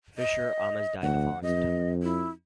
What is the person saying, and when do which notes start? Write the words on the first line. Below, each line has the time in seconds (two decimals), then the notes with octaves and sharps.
Fisher Ames died the following September.
0.18 D#5
1.02 D2 F#5
1.43 F2 D#5
2.03 E4